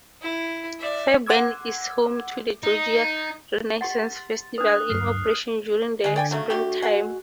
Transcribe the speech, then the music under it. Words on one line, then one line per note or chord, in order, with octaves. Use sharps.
Fairburn is home to the Georgia Renaissance Festival, in operation during the springtime.
E4
D5 E5
F#5 C6 D6 E6 G#6
D#4
G4 F#5 C6 A6
D4 B4 D#6 F#6
D2 G2 F#3 F6 C7
D3 G#3 G#4
D5 G5 G#5
C#3 F#3 A3
D3 A3 F#4 G4
G#3 F#5